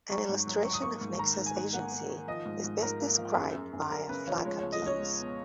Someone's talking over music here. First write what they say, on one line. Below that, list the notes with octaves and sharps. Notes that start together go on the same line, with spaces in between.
An illustration of nexus agency is best described by a flock of geese.
F#3 C#6
G#2
F#3
F#3 C#6
D#6
A#3 C#6
G#2
D#3 A#5
G#2
G#5
G#2
A#3 F#5
A#3
D#3
F3 D#5
G#2
G#2
G#2 A#4
A#3
F3
F#2 G#4
F#2
F#2
F#2 A#4
C#3 B4
F3 C#5
G#3 C#5
C#2 C#5
D#5
C#2 C#5
G#3
B2